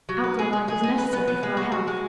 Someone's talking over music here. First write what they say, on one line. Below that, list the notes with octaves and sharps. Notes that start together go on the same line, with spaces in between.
Out-door life is necessary for our health.
F#3
B4
G#4
G#4
G#4
D#4
B4
B3
B3
G#3
F#4
F#4
G#3